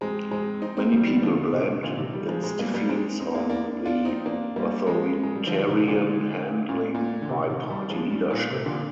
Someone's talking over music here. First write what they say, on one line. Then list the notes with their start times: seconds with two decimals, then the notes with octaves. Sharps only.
Many people blamed its defeats on the authoritarian handling by party leadership.
0.01 G#3 C4
0.31 G#3 C4
0.62 C4 D#4
0.77 C4 D#4
0.92 D#3 G3
1.07 D#3 G3
1.22 D3 F3
1.53 C3
1.83 A#2 D3
1.98 C3 D#3
2.13 D#3 G3
2.29 F3 G#3
2.44 G#3 C4
2.59 G3 A#3
2.74 G3 A#3
2.89 G#3 C4
3.20 C4 D#4
3.34 A#3 D4
3.49 A#3 D4
3.85 D4 F4
4.05 C4 D#4
4.26 A#3 D4
4.56 G3 A#3
4.86 F3 G#3
5.23 G#3
5.35 G3
5.47 D3 F3
5.67 C3 D#3
5.88 A#2 D3
6.69 A#2
6.95 A#2
7.22 D3
7.29 C3
7.49 C3 D#3
7.69 D#3 G3
7.89 F3 G#3
8.10 D#3 G3
8.31 A#2
8.51 C3
8.66 A#2 D3